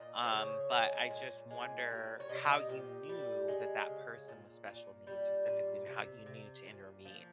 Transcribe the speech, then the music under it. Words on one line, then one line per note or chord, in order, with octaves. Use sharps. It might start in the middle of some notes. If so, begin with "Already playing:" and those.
um but I just wonder how you knew that that person was special needs specifically and how you knew to intervene?
Already playing: A#2 D#5
C5
C#3 C#5
G#3
A#2
G#3
G3 A#4
C#5
C3 D#5
D#5
A#2 G4
G3
G#3
C#3
A#2
A#2
G3
A#2
C3
C3
A#2
F3